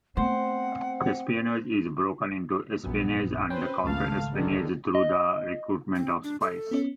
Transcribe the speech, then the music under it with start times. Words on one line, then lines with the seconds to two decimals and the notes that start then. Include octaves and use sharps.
Espionage is broken into espionage and counter-espionage through the recruitment of spies.
0.17 A3 B3 C4 C5 F#5
2.84 A#1 F#2 B3
3.50 C4 C#4 B4 C5 G5
3.84 G#1 C#2 A3 F5 A5
4.33 D3 D#3 G#4
4.95 D#5
5.96 C4
6.24 D4
6.41 A4
6.71 B3 C#4